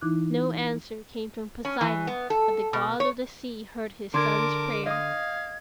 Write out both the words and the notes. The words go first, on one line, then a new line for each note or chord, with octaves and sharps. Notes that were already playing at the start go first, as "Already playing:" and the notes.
No answer came from Poseidon, but the god of the sea heard his son's prayer.
E3 D#4 E4 D6 F#6
C#4
E3
B3
A4
B2
C#5
D3 A#4 A5 C6 D6 G#6
D#5 F5 D#6 G#6